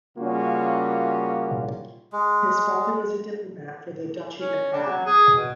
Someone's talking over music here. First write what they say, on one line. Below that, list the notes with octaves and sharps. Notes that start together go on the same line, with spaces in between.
His father was a diplomat for the Duchy of Baden.
C#3 G3 A#3 C#4 F4 F#4
G#3
C#4
D4
F#3
G#4
B2